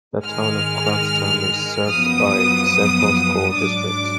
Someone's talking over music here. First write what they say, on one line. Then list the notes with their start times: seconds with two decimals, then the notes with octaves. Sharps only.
The town of Clarkstown is served by several school districts.
0.23 G#2 D#3 G#3 F6
1.89 F#2 F3 B3 D#6
3.56 G#2 F#3 D4 D6